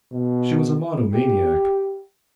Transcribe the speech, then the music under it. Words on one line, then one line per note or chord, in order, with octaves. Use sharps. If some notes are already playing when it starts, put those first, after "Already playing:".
She was a monomaniac.
B2
G4